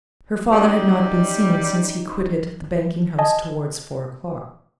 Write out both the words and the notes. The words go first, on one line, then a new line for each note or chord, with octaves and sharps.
Her father had not been seen, since he quitted the banking-house towards four o'clock.
F#2 G3 D#4
D#5 G#5 A5